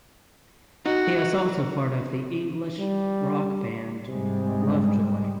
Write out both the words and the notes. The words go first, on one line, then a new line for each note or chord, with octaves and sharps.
He is also part of the English rock band Lovejoy.
D#4 F#4
G3
G#2 C3 G3 G#3